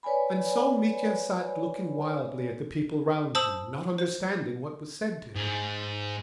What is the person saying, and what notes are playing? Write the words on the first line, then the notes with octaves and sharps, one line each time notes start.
And so Mitya sat looking wildly at the people round him, not understanding what was said to him.
B4 C#5 D5 G#5 B5
C5 A5 D#6 E6 F#7
C5
G#2